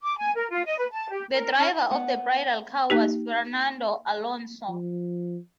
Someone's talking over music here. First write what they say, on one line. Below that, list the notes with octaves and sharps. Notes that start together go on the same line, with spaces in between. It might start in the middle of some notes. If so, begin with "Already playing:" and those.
The driver of the bridal car was Fernando Alonso.
D6
G#5
A#4
F4
D#5
B4
A5
G4
A#4
C#4
B3 F#5
A#3 D#4 G4
F3